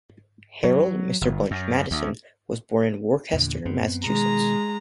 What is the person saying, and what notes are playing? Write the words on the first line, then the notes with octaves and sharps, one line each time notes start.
Harold 'Mr Butch' Madison was born in Worcester, Ma.
F#3
G1
F#2
D2
E2 A#2 D3
F#2 B3 C4
B2 D#3 G#3 A#5